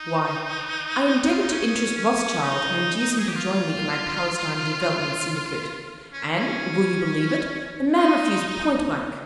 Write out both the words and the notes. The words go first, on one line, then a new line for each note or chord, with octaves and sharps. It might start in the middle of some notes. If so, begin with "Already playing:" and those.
Why, I endeavoured to interest Rothschild and induce him to join me in my Palestine Development Syndicate, and, will you believe it, the man refused point blank.
Already playing: D#4
F4
D#4
C#4
C#4
D#4
G#4
G4
F4
C#4
C#4
D#4